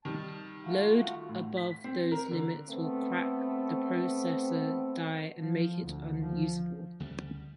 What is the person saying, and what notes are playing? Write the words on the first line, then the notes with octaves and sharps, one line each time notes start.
Load above those limits will crack the processor die and make it unusable.
D#3 G3 A5
A3 F4 F#4
A2
B6
C4
A#4
D3
A3 B3 C4
F3
D2
F3
D2 C#3 G3